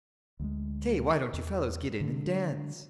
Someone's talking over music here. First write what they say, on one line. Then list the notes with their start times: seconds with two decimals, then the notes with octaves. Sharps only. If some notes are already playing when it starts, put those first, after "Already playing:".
"Say! why don't you fellows get in and dance?"
0.40 D2 F#3 G#3
1.33 E2
2.01 D3 G#3 C#4 D4